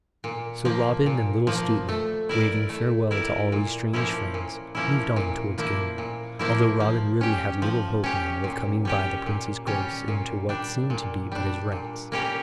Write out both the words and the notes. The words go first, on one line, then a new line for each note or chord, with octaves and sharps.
So Robin and little Stuteley, waving farewell to all these strange friends, moved on towards Gamewell, although Robin really had little hope now of coming by the Prince's grace into what seemed to be but his rights.
A#2
F3 A#3
A#2
F3 A#3
A3
E4 A#4 D5
A3
E4 A#4 D5
A#2
F3 A#3 C#4 E4
A#2
F3 A#3 C#4 E4
A#2
F3 A#3 E4
A#2
F3 A#3 E4
F3
C#4 G4
F3
C#4 G4
A#2
G3 C#4 G4
A#2
G3 C#4 G4
A#2
G3 D4
A#2
G3 D4
A#2
G3 A#3 C#4 G4